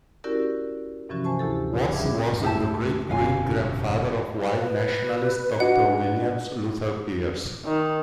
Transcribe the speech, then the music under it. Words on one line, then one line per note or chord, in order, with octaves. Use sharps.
Watts was the great-great-grandfather of white nationalist Doctor William Luther Pierce.
C#4 E4 F#4 G4 A#4 D5
G2 C3 E3 F3 C#4 F#4
C5 G#5 A5 C#6
D2 E4 G4 A4
G2 G3 D4 G#4 E5 D6
C#2 F#2 A3 E4 G4 A5
E1 F#2 B2 D3 C#4 F5 G#5
B4
D4 F#4 D#5 F#5
D#3